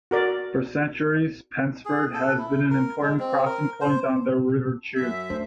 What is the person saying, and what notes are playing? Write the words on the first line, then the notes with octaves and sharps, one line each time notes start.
For centuries Pensford has been an important crossing point on the River Chew.
F#4 A#4 D5
G#4
A4
E4
A#4
G#3
C4
A#4
C5
F#2 E5
A3 D4 C5